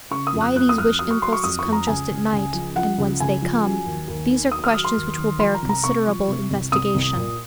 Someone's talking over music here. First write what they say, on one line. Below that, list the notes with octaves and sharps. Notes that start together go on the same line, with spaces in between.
Why these wish-impulses come just at night, and whence they come--these are questions which will bear considerable investigation.
C#3 C#6
D#6
F2
F#6
F2 F#6
D#6
F2 F6
F#3 D#6
C#6
F#3 C6
C#6
F2 D#6
C#6
F2
A#5
C#2 G#5
C#2
C#2
F3
F3 F#5
C#2
C#2 G#5
F3
F#3
D#2
D#2
D#3
F#3 D#6
F6
F#3 D#6
C6
D#2
D#3
F3 C6
A#5
C2
A#5
C3 C#6
F3
C3
C2
C2 D#6
C2
A#2